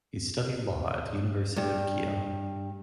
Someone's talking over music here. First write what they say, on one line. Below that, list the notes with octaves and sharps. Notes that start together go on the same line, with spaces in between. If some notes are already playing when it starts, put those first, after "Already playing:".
He studied law at the University of Kiel.
G2